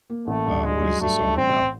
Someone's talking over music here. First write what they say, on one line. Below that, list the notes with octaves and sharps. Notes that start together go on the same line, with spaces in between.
uh, what is this all about?"
A#3
A1 A3
G2
G2 G#3
F#3
G2 A3
G2
A1 C4